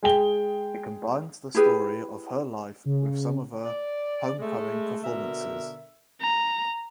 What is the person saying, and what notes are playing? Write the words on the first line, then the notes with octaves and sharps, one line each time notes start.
It combines the story of her life with some of her Homecoming performances.
G#3 G#4 G5 G7
E4 G4 G#4 B4
C#3
D5
G#3 A3
B2 D3 A#4 E5
A#5